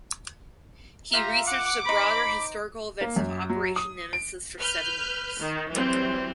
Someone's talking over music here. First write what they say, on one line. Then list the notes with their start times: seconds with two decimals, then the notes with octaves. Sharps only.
He researched the broader historical events of Operation Nemesis for seven years.
1.13 F4 G4 E5 F5 A#5
1.47 F#5 D6
1.86 D#4 C5 B5
3.01 A#3
3.16 F#2
3.50 F#3
3.76 D#6
4.13 D7
4.60 B4 F6 G6
5.40 D#3
5.70 E3 F#3 G3 C4